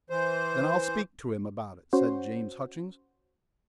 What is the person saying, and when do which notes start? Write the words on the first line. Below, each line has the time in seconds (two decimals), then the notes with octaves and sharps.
"Then I'll speak to him about it," said James Hutchings.
0.10 E3 C5
1.93 C#4 F#4 C5